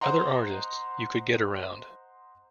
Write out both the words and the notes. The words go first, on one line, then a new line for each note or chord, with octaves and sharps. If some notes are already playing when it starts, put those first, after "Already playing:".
Other artists, you could get around.
C5 D#5 F#5 A#5 C6